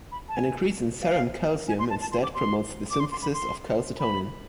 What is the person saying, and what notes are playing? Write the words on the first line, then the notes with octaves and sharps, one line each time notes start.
An increase in serum calcium, instead, promotes the synthesis of calcitonin.
B5
A5
G#5
F5
G#5
C6
A5
A5
C6
D6
C6
D6
C6
C6
B5
C6
B5